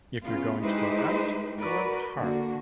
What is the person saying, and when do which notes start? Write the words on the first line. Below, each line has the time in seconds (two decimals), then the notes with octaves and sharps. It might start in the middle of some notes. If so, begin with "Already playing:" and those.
If you're going to go out, go out hard.
0.23 C#3 B3 F4
0.60 G#3 D#4 E4 G4 B4 C5
1.59 F#4 A#4 B4 D5
2.17 D3 A#3 F#4